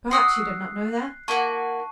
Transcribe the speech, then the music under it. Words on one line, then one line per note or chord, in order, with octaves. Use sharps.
Perhaps you did not know that?
F#4 D#6 E6 F#6 C7
A#3 E4 F#4 A5 C#6